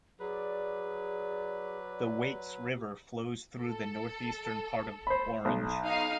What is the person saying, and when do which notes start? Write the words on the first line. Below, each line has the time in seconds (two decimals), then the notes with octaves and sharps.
The Waits River flows through the northeastern part of Orange.
0.20 F#3 G#4 B4 D5
3.61 A4
5.07 C5 B5
5.45 B1
5.85 D#4 F5